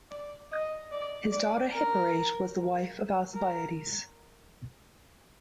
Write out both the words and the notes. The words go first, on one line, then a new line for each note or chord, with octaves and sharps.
His daughter Hipparete was the wife of Alcibiades.
D5
D#5
D5
D5
A#4
A#4